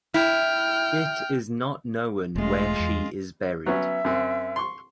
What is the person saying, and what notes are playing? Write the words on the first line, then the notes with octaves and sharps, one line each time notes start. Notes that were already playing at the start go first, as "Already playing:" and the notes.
It is not known where she is buried.
E4 G5 F6
E1 G#3 A3 F4
E2
F#3 B3 C#4 E5
F#2 C4
C6 C#6